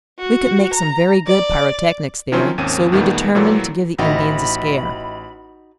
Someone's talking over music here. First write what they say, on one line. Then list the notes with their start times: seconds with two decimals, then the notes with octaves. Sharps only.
We could make some very good pyrotechnics there, so we determined to give the Indians a scare.
0.19 F#4
0.74 A#5
1.26 D5
2.32 D#3 F3 F#3 C4 C#4 F4
2.58 G#1 D#2 A#3 C4 C#4 D#7
2.92 E2 A#2 D#3 G3 A3 B3
3.35 A#2 E3 F#3 G3 A4
3.98 A1 D#4 F#4 D#5 E5 G5 B5